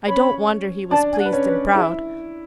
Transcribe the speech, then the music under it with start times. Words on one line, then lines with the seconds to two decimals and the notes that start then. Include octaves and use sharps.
I don't wonder he was pleased and proud.
0.08 C#4 C#5 B5
0.91 D4 D5 A5
1.12 G#5
1.19 F#5
1.26 B4
1.33 C#4 C#5
1.46 B4
1.74 E4 G#4